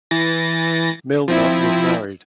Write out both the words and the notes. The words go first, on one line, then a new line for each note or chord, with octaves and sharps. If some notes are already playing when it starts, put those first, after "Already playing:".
Milner was married.
E3 A6 A#6
F3 C4 E4